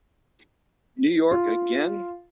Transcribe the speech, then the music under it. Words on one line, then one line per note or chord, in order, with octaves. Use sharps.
New York again.
F4